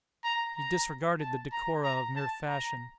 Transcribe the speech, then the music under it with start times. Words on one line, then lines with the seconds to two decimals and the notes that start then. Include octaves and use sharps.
He disregarded the decora of mere fashion.
0.24 A#5
0.56 A#5
1.20 A5
1.52 A#5
1.84 A#5
2.16 A5
2.48 A#5